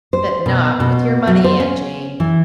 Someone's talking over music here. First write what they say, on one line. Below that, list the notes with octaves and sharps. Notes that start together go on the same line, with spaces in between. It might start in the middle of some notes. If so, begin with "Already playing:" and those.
But not with your money, Aunt Jane.
C5
B2
B2
F#3
C5
C#4
E3